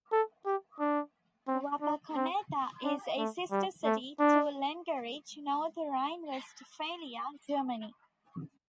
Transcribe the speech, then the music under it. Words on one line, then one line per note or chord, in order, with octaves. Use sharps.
Wapakoneta is a sister city to Lengerich, North Rhine-Westphalia, Germany.
A4
G4
D4
C4
D4
C4
D4
A3
G3
A3
D4